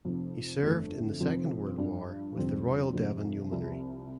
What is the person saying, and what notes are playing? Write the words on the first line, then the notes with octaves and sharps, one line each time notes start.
He served in the Second World War with the Royal Devon Yeomanry.
F1 F2 F3
G1 F2 D3 A3
F1 F2 F3 C4
G2 F3 D4
F1 F2 D3 G3 C4
F1 F2 C3 A3 D4
C2 C3 F3